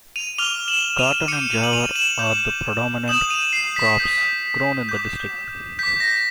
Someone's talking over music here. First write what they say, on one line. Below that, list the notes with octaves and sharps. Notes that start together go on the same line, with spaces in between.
Cotton and Jawar are the predominant crops grown in the district.
D#7 F7
D6 F6 F7 G7
E7 F#7
D#7 F7
D6 G6 C#7 D#7
D#7 F7
F#7
D#7 F7
E7 F#7
D6 G6
D#6 G6 E7 F#7
D#7 F7
C7
B6
D#6 G6
D6 G6
D6 G6 B6
A#6